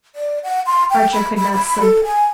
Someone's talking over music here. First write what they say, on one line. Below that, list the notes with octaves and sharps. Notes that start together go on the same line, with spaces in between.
Archer could not sleep.
D5
F#5
C6
G5
B5
B5
B5
A4
G#5